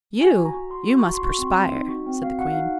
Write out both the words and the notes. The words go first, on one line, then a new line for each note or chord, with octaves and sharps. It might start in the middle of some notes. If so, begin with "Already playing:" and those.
"You! you must perspire," said the Queen.
F#4 G#5
F#4
A#5
F#4
F#4 C6
F#4
C#6
F#4 A#5
C6
F#4 C#6
C4
C6
C4
D#4
F#4
C4
F#4 F5
F#4 F#5
F5
D#4 F#5